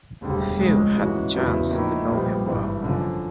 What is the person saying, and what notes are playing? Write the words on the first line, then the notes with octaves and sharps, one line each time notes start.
Few had the chance to know him well.
E1 D2 D3 G3
C#2 C#3 F3 G#3 C#4
G#2 E3 G#3 C#4 F#4
E2 C#3 F#3 B3 E4
A2 F3 A#3 D#4
A#1 A#2 G3 B3
G#1 G2 E3
F#2 D3 F3